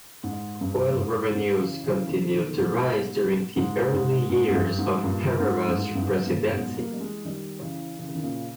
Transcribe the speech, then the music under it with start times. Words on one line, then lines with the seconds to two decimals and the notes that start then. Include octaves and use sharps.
Oil revenues continued to rise during the early years of Herrera's presidency.
0.24 G#2
0.61 G2
0.90 G2
0.98 G#2
1.35 G#2
1.59 C#3 E3
1.84 C#3 E3
2.09 B2 D#3
2.33 B2 D#3
2.57 G#2 B2
3.56 G#2
3.93 G#2
4.29 G#2
4.48 G#2
4.54 G2
4.79 G#2
5.03 G2 A#2
5.40 G#2
5.68 G2
5.78 G#2
5.95 G2
6.02 G#2
6.26 G2 A#2
6.51 G#2 B2
6.76 G3 A#3
6.94 G3
7.00 E3 G#3
7.25 D#3 G3
7.62 C#3 E3
7.99 C#3 E3
8.15 D#3
8.23 A#2 C#3